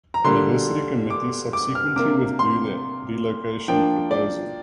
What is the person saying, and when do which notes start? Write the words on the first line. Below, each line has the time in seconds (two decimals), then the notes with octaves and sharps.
The anniversary committee subsequently withdrew their relocation proposal.
0.14 A#5
0.24 D3 G3 A#3 D4 C6
1.10 D6
1.53 D6
1.75 F6
1.96 C3 A#3 D4 D6
2.39 C6
3.68 F3 A#3 D4 G5
4.11 D5